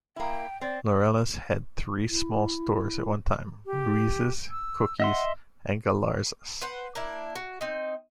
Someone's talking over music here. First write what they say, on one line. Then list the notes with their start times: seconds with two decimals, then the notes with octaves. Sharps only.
Laureles had three small stores at one time, Ruiz's, Cookies, and Galarza's.
0.16 A#3 E4 G5
0.61 C4 D5
2.08 E4
3.66 G4
4.51 E6
5.00 D#5 E5 F#5 C6
6.61 B4 C5 F#5
6.95 A#3 D4 E4
7.35 F#4
7.61 C4 D#4